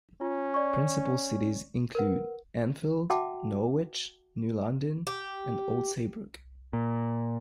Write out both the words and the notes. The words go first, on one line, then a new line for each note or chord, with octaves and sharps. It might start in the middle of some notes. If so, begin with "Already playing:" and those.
Principal cities include: Enfield, Norwich, New London, and Old Saybrook.
C#4 F4
D5 C#6
A#4 B4 F#5
F#4 E5 F#5 G5 A5 D6
G4
A#2